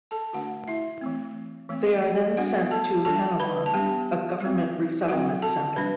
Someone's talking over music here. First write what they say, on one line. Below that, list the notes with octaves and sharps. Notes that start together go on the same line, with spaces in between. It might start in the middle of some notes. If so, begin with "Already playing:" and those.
They are then sent to Hanawon, a government resettlement center.
A4 A5
D3 A3 D4 F#4 F#5
E4 E5
E3 A3 C4
E3 A3 C4
G3 B3 D4 F#4 F#5
A4 A5
E3 G3 D4 A4 A5
B4 B5
A5
G3 B3 D4 G4 G5
G3 C4
F#3 C4 F#4 F#5
A4 A5
G3 D4 B4 B5